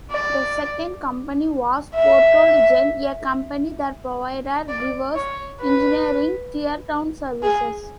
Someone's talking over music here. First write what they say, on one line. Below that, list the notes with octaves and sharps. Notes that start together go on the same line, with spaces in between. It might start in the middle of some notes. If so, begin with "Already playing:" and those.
The second company was Portelligent, a company that provided reverse engineering tear down services.
D5
E5
D5
C#5
B4
G#4